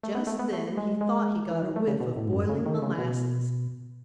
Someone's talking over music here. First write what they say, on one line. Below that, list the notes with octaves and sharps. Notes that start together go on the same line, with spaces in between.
Just then he thought he got a whiff of boiling molasses.
A3
B3
A3
B3
A3
G#3
G#3
E3
F#3
A3
C#3
B2
A2
G#2
F#2
C#3
D#3
C#3
B2